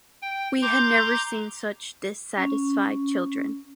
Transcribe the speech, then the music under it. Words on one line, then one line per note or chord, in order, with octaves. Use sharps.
We had never seen such dissatisfied children.
G5
A#5 C6 D6 G6
C#4